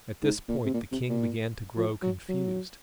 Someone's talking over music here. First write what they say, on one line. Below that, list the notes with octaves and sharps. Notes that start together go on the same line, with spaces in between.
At this point the king began to grow confused.
G#2
A#2
C3
A#2
C3
A#2
F3
F#3
F#3